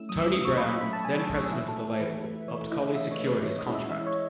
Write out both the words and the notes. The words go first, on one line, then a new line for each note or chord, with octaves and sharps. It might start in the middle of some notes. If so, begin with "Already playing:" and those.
Tony Brown, then-president of the label, helped Collie secure his contract.
Already playing: A3 C#4 E4 E6
F#3 D#6
E6
A3 C#4 E4 D#6
C#6
F#3 B5
B5
A3 C#4 E4 B5
A5
F#3 G#5
A3 C#4 E4
E3 E5
A4
A3 E4
A4
E3 B4
A3 E4
E3 C#5
A3 E4 D#5
E3 E5
C#5
A3 E4
B4
E3 C#5
D#5
G#3 C#4 E4
E5
E3 E5
C#5